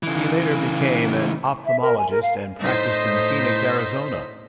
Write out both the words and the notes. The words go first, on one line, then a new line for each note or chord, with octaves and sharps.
He later became an ophthalmologist, and practiced in Phoenix, Arizona.
C#3 E3
E5
A#4
G#5
A#4
F5
A2 D#4 C5 B6